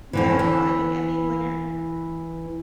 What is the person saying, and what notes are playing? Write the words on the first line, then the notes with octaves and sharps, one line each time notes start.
Now I'm an Emmy winner.
F2 D3 E3
E3